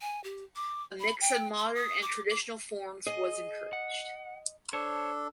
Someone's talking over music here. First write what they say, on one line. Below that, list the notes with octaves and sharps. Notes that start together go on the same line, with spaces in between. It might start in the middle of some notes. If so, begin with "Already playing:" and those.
A mix of modern and traditional forms was encouraged.
G#5
G4
D6
B5
G5
C6
D#6
D6
D6
G#4 D#5
F#5
D4 A4 C5 C#5